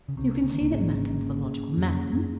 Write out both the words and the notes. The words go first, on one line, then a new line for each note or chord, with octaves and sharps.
"You can see that Manton's the logical man?"
C#3
C2 C3 C#4
A#3
C#3
D#3 A#3
C#2 C#3
G#1 G#2 G#4
C#4
A#3
A#3
G#4
C#4
F2 A#3
A#3
F#2 G#4